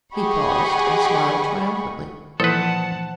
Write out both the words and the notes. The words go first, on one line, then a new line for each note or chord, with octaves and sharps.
He paused and smiled triumphantly.
G4 G#4 D#5 F#5 B5 C#6
A#2 E3 F3 A4 B4 C5 F#5 A5